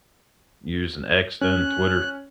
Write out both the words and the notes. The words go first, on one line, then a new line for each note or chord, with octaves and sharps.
using X, then Twitter.
C#4 F#6